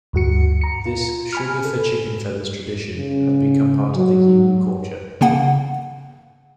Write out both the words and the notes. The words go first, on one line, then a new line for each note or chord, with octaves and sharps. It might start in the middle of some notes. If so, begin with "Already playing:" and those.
This "Sugar-For-Chicken Feathers" tradition had become part of Yiwu culture.
D2 G2 F#4 C#7
A#5 C#7
F4
G#5 B5 F6
A4
C#3
F#3
C#3 A#3 F#5